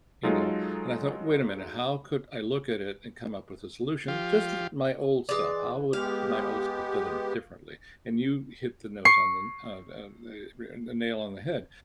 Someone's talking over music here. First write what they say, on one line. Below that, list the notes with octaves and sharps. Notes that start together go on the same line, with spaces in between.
You know? And I thought, "Wait a minute. How could I look at it and come up with a solution? Just th my old self, how would my old self done it differently?" And you hit the nose on the, uh uh the re the nail on the head,
F#3 G#3 D#4 F4 A4
F3 F4 G4
E3 G#3 D5
G#3 B3 G4 F5
C#6 C7